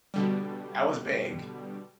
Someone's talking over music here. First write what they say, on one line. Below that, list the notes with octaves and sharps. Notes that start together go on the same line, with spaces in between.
That was big.
B2 D3 G3